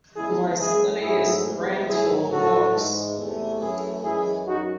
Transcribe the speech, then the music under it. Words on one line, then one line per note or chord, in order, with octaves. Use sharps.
My study is crammed full of books.
E2 C#3 E3 G#3 E4 G#4
F#2 E3 G#3 E4 G#4
G#2 F#3 A3 E4 G#4
E2 C3 E3 G#3
G#2 F#3 A3 E4 G#4
A2 F#3 A3 F#4 A4
G#2 E3 G#3
E2 C3 E3 A3
F#2 E3 A3 E4 G#4
F#2 E3 G#3 E4 G#4
F#2 D#4 F#4